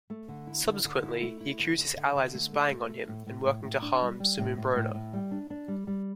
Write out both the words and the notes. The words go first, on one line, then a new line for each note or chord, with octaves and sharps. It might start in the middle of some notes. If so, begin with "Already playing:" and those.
Subsequently, he accused his allies of spying on him and working to harm Samoobrona.
A3
D3
E4
D3
D3
E4
A3
E4
D3
D3
D3
D3
A3
A3
A3
A3
A2
A2
A2
A2
D4
G3
G3
A2
A2
A2
A2
G3
D4
D4
G3
G3